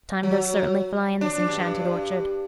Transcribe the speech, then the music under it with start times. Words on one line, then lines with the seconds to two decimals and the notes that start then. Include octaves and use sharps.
Time does certainly fly in this enchanted orchard.
0.23 F#3
1.21 D4
1.47 G2